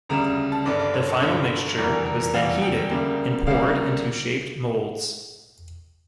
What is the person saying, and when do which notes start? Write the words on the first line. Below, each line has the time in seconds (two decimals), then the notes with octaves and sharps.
The final mixture was then heated and poured into shaped molds.
0.09 D2 C#3 G3 A#5
0.52 A5
0.65 G1 G2 D3 D5
0.79 D5
0.94 C#5
1.08 A4
1.21 G1 G2 D3
1.78 F1 E2 E3 G3 A#4
2.06 A#4
2.34 F1 E2 E3 G3 F5
2.62 G5
2.90 D2 C#3 G3 A#3
3.47 D2 C#3 G3 A#3 F5